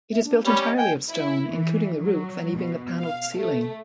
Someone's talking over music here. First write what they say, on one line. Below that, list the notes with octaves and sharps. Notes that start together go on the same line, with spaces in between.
It is built entirely of stone, including the roof and even the panelled ceiling.
E5
D4
G3 C#4 B5
D#5
G5 G#5
E4
E3
F#3
B2
F5
A3